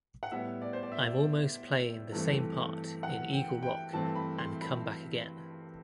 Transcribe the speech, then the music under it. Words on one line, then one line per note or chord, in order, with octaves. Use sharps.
I’m almost playing the same part in "Eagle Rock" and "Come Back Again".
F#5
A2 G3 B3 E5
D5
C5
D5
E5
G2 E3 A3 C4
F#5
G5
G5
G2 E3 A3 C4 A5
B5
C6
B5